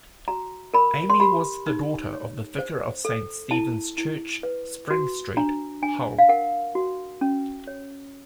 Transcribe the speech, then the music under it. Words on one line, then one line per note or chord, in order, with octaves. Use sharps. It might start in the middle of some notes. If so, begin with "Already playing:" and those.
Amy was the daughter of the vicar of Saint Stephen's Church, Spring Street, Hull.
F#4 A#5
A#4 B5
C6
G4 B5
D#4
C#5
C5
A4
E4 A5
E4
B4
F#4
D4 A#5
D4 G#5
F5
A#4 F#5
F#4
C#4
C#5